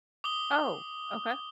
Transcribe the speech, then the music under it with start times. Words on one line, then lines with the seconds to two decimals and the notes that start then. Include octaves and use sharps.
Oh, okay.
0.24 D6 D#6 G7